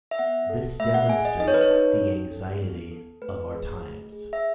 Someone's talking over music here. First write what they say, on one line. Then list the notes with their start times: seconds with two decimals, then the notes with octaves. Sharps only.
This demonstrates the anxiety of our times.
0.11 E5
0.19 B3 F#5
0.49 A4
0.80 A3 E5
0.94 F#5
1.09 G#4 G#5
1.25 D#5
1.40 D#4 D#5
1.48 C#5
1.54 B4
1.61 C#5
1.71 D#4
2.01 C#4
2.31 A4
2.61 B3
2.91 A4
3.21 A3 B4
3.52 G#4
3.82 A3
4.12 G#4
4.33 E5